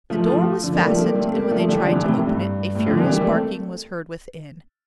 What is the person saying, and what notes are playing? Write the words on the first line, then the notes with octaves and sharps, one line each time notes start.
The door was fastened, and when they tried to open it a furious barking was heard within.
F3 A3
F3 A3
D3 F3
G3 A#3
F3 A3
G3 A#3
A3 C4
G3 A#3
F3 A3
E3 G3
D3 F3
C3 E3
A2 C3
A2
G2
A2
D3 F3
E3 G3
G3 A#3
A3 C4